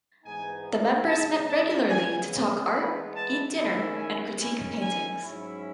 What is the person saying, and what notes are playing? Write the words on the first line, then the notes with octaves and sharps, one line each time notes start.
The members met regularly to talk art, eat dinner, and critique paintings.
G#2 E3 B3 D#4 G#5
C#3 G#3 D#4 A5
A5
C#3 G#3 B3 G#5
E3 G#3 B3 E4 B5
A5
D#3 G#3 C#4 E4
G#5
D#3 G#3 C#4 E4 G#5
G#5
G#2 F#3 C#4 E4